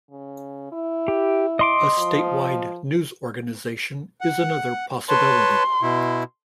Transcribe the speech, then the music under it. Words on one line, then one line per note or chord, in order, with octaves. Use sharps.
A state wide news organization is another possibility.
C#3
E4
G4
D#5 C6 D6
F3
F#5
B4 C#5 A5 C6
B2 E4